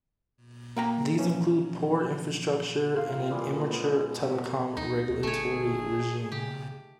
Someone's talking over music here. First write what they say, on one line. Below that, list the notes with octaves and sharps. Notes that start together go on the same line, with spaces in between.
These include poor infrastructure and an immature telecom regulatory regime.
A#3 G5 A#5
E3 F3 C#4
F#2 F4 F5
A#2 E3 G3 G#3
D#5
G#3 B3 C#4
B2
F#2 F#4 G4
D2 D#4
G1 A3 G#4 C#5
C#3 G4